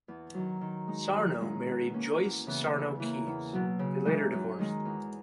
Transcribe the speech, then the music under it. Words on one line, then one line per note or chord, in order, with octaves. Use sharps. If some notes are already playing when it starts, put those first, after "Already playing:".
Sarno married Joyce Sarno Keys; they later divorced.
E2
D#3 F#3
D#3
G#3 D#4
F#2
D#3 G#3 C#4 E4
B2
A#3 C#4
E2
C#3 E3 B3
C#3
E3 A#3
E2
B2 F#3
C#3
E3 G#3 D#4
F#2
D#3 G#3
E2